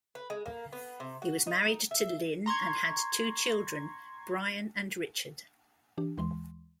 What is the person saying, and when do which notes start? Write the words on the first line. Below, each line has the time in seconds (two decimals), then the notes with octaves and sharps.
He was married to Lynne and had two children, Bryan and Richard.
0.15 B4
0.30 G#3
0.46 A#3
0.73 B3
1.00 C3
1.22 F#4
1.47 D#4
1.91 E5
2.46 A#5 C6 C#6 G#6
5.98 E3 D4 G4
6.18 D#2 E3 G#3 C6